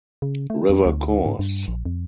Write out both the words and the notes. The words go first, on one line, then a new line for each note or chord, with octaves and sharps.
River Course!
C#3
A3
F2
D2
G#2
G2
A#1
F2